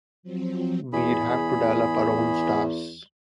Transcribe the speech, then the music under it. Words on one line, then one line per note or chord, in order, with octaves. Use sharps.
We'd have to develop our own stars.
F3 F#3 C4
E2 G#4 B5